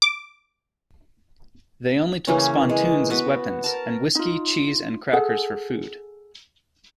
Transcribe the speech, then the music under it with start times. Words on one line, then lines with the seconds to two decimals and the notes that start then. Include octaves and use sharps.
They only took spontoons as weapons and whiskey, cheese, and crackers for food.
0.02 D6
2.27 C#3 E3 A#3 C#4
2.69 G#3
3.10 B3 F#4 B4
3.64 A#4 A5
4.15 D#4 F4
5.13 G#4 A4 F#5